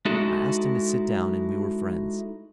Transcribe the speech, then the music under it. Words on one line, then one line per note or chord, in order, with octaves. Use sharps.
I asked him to sit down and we were friends.
G#3 D#4 E4 F#4 A4